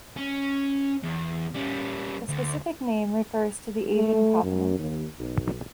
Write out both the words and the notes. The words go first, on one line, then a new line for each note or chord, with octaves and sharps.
The specific name refers to the Asian provenance.
C#4
E2
G3 C#4
D2
A3
F#2
D#2
B1